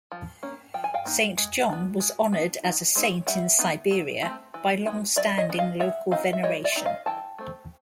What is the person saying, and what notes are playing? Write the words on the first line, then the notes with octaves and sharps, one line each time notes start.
Saint John was honoured as a saint in Siberia by longstanding local veneration.
F3
A#3 C#4
F3 G5
G#5
F5 G5
A#3 D#4
G#3
B3 D4
G#3
B3 D4
D#3
G#3 C4 D#4
G3 E5 F#5
B3 D#4
F#3
A3 C4
E3
G#3 B3 D#4
F#3 D5 E5
C#5 D#5
B3 D4
D#5 F5
G#3 E5 F#5
C4 D#4 D#5 F5
E5
G3 C#5 D#5
D5 E5
C4 D#4
D#5 F5
E3 G5 A5
A3 C4